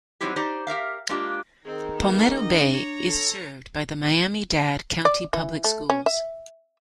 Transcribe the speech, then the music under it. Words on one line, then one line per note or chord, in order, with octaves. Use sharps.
Palmetto Bay is served by the Miami-Dade County Public Schools.
F#3 G3 C4 D#4 E4 G4
D#4 G4 C5 D5
G4 A#4 E5 F5
G#3 A#3 D4 F4 G4
D#3 C4 D#4 G#4
A#3 B3
D4 D#5
C#5 A#5
A4
D5
E3
A3
C#4
E5